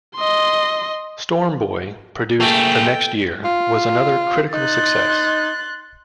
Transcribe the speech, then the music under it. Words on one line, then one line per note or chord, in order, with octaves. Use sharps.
"Storm Boy", produced the next year, was another critical success.
D#5 C6
A3 A#3 G#4 G5
F4
D#4 C6 F#6 A6